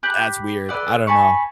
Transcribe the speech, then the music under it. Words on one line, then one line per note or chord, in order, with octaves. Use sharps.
that's weird. I don't know.
G4 B5 F#6
A4 B4 D5 F#5
G#5 A5 B5 C#6